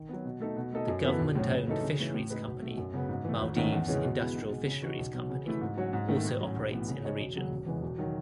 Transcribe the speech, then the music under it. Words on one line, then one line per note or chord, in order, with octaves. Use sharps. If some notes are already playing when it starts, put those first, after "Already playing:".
The government owned fisheries company, Maldives Industrial Fisheries Company also operates in the region.
Already playing: D#3
F#3 B3
B2
A3 D#4 A4
B2
A3 D#4 A4 D#5
F#2
E3 B3 E4 A4
B1
A2 F#3 C#4
C#3
E3 A3 D#4 A4
C#3
E3 A3 C#4
A2
G#3 D#4 G#4 B4
B1
B2 A3
F#2
C#3 F#3 B3
G#2
E3 A3
G#1
G#2 D#3 A3 C#4
E2
C#3 E3 G#3 C#4
B2
G#3 B3 E4
B1
B2 G#3
C#3
E3 G#3 D#4 F#4
B1
B2 F#3
C#3
E3 A3 E4
G#2
F#3 C#4 F#4 C#5
G#2
D#3 A3
A2
F#3 C#4
B1
A2 E3 B3
C#3
G#3 D#4 G#4 C#5
E1
D#2 C#3 F#3
E1
E2 C#3 E3 G#3
E1
D#3 F#3